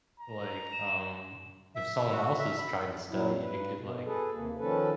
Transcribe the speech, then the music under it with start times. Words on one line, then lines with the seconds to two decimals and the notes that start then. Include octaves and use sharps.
like, um, if someone else is trying to study, it could, like
0.20 A#5
0.73 E7
1.75 E5
2.12 F#4
2.39 E5
2.59 B5
3.09 A#2 F#3 G3 E4
3.41 G2 B4
3.75 B2
4.05 G#4 A4 B4
4.32 D#2 C3 A#3
4.58 D#3 F3 C#4 A4 B4